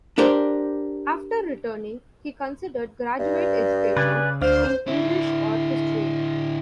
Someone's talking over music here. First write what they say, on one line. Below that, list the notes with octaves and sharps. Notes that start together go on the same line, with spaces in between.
After returning, he considered graduate education in English or History.
D4 G4 A#4 C5
G2
C#3 B4 D5 G#5
D2 D4 C5 F5
D3 E4